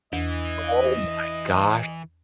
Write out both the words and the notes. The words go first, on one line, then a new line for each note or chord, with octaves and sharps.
Oh, my gosh.
E2 E3 D#5